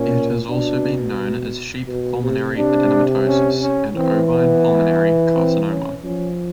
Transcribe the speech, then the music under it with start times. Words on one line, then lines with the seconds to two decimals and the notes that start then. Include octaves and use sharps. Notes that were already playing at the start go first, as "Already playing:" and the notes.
It has also been known as sheep pulmonary adenomatosis and ovine pulmonary carcinoma.
Already playing: A#2 C#4
0.49 B2 D4
1.88 B2
2.23 C3
2.57 C3 D4
3.27 C#4
3.61 C#4
3.95 E3 C4
4.30 B3
5.34 C4
5.69 C#4
6.04 F3 C#4